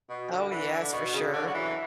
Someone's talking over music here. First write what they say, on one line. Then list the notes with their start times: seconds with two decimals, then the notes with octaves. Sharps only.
Oh, yes, for sure.
0.09 B2
0.31 D3
0.51 E3
0.72 D3
0.92 B2
1.13 C#3
1.33 D3
1.47 F#3
1.54 E3